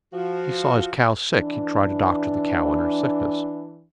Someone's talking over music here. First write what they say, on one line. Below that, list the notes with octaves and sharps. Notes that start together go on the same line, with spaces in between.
If he saw his cow sick, he'd try to doctor the cow in her sickness.
F3 F#4
E3 D4